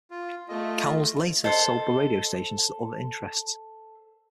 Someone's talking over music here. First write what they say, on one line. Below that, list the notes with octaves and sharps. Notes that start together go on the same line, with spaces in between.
Cowles later sold the radio stations to other interests.
F4
A3 F4 D#5
A4 C5 D#5